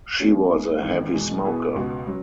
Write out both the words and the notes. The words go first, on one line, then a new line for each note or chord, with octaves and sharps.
She was a heavy smoker.
E1 E2 E3 C#4 F#4
G#2 G#3 B3 G#4
G#1 G#2 E3 B3
E2 B2 G#3
B2 B3 E4 G#4
C#2 B2 B3 F#4
F#3 C#4